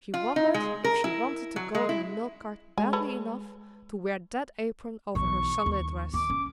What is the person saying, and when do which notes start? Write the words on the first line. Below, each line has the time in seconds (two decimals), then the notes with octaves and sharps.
She wondered if she wanted to go in the milk cart badly enough to wear that apron over her Sunday dress!
0.14 F4
0.36 D#4
0.54 G#3
0.84 A#4
1.04 E4
1.56 F#3
1.75 G#3
1.89 E4
2.78 G#3 G#5
2.93 A4 B4 C#5
5.15 B1 E3 C#6
5.66 D#2
6.14 D#2 D6
6.30 C#4